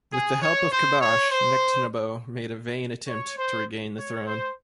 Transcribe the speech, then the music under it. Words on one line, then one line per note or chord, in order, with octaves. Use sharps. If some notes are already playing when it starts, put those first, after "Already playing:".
With the help of Khabash, Nectanebo made a vain attempt to regain the throne.
G#4
C#5
C5
C#5
C5
C#5
C5
C#5
C5